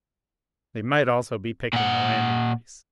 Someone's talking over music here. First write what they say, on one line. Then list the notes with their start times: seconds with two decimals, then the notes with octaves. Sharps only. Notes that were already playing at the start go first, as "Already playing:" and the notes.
They might also be picking a landing place.
1.73 A#2 F#5